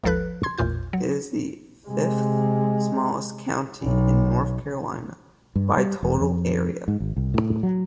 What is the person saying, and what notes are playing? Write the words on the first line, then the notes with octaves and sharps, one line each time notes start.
It is the fifth-smallest county in North Carolina by total area.
G#1 D#2 F3 A4 B4 F#6
C6 G#6
A1 E2 A#2 F4 G6
F#3
C3 G#3
B1
G2
G3
E1
F2
G#2
G#1
C2
A2
F#3